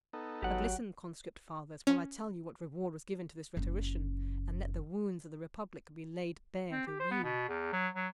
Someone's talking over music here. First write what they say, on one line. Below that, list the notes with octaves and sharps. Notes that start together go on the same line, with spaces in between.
But listen, Conscript Fathers, while I tell you what reward was given to this rhetorician, and let the wounds of the republic be laid bare to view.
B3 D#4 A4
G#1 F#3 G4 F#5 G5
C#4
F#1 C#4
C4
G4
C5
B3
B2
E2
F#3
F#3